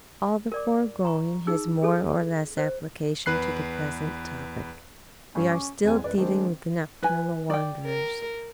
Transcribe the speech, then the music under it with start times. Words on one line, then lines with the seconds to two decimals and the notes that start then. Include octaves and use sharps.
All the foregoing has more or less application to the present topic. We are still dealing with the nocturnal wanderers.
0.52 A#4 D5 D6
1.05 A#5 C#6
1.47 D#4 G#4 E6
1.83 G#4 A4
2.57 C5
3.26 E2 B4 F#6 C7
5.35 G2 C#4
5.52 D6
5.84 E2 E3 G#3 C4 G#5
6.04 F#2 B4 D5
6.18 D#3 G#3 C4 D4
7.03 B4 G#5
7.50 D5 G5
7.85 A#4